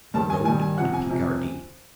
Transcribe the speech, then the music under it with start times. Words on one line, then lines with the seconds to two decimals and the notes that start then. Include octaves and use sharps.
The Road to Picardy.
0.14 G2 D#3 G3 A5
0.30 G#5
0.45 G2 D#3 G3 G#5
0.61 G#5
0.77 F2 C3 F3 F#5
0.93 G#5
1.10 F2 C3 F3